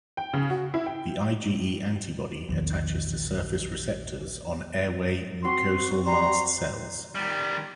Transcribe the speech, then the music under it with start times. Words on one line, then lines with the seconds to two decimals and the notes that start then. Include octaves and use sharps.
The IgE antibody attaches to surface receptors on airway mucosal mast cells.
0.17 G5
0.34 C#3
0.50 F#4
0.74 E4
0.86 G5
2.49 A#1 E2 D#3
5.44 C4 F#4 C6
6.06 G3 A#5 C6
7.15 D#3 G3